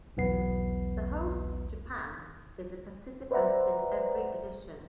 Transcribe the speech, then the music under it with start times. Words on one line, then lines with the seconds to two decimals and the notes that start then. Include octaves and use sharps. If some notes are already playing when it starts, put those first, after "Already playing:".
The host, Japan, is a participant in every edition.
0.17 B1 E2 B3 C7
3.31 B4 C5 D5 E5 F#5 A#5